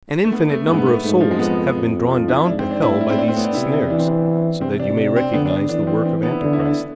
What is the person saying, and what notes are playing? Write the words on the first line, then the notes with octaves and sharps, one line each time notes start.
An infinite number of souls have been drawn down to hell by these snares, so that you may recognise the work of antichrist.
A3
B3
A3
G#2 B3
B3
A3
G#2 A3
F3
G#3
F2 B3
F2
F3
E4
G#2 D4
C4
D4
A2 E4
E4
C4
D4
C4
B3
D4
C3 E4
E3 D4
C4
D4
C3 C4
D4
D4
C4
D3 B3
D4
D4
E3 D4
D4
C4
C4
B3
E4
D3 D4
E4
D4